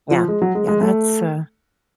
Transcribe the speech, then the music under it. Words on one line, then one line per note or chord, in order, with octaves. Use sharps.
Yeah. Yeah, that's, uh
F3
G#3
F#3
G#3
G#3
A3